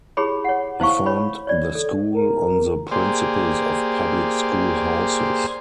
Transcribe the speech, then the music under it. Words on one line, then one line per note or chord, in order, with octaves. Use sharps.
He formed the school on the principles of public school houses.
E4 G4 G#4 C#5 B5
C#5 F#5
E4 C5 F5 C#6
C#5 B5
C#5 D5
A4
A#4
A#3 G4 G#4 C5 D5 C6